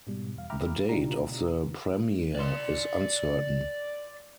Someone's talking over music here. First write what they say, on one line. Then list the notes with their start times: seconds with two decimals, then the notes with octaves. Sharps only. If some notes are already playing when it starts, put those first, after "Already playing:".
The date of the premiere is uncertain.
0.07 G#2 B2 G3
0.35 E2 F5
0.50 E5 G5 A#5 B5 D6 F6
0.89 B2 D4 E4 F4 G4 A#5
2.35 D5 C6